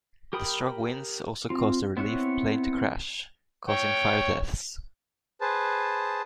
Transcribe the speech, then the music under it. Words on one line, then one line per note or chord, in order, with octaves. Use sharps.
The strong winds also caused a relief plane to crash, causing five deaths.
G4 A#4 G5 B5 D#6
C4 F4
B3 C4 E4 C#5 F#6
C#5 G5
G#4 B4 C5 A5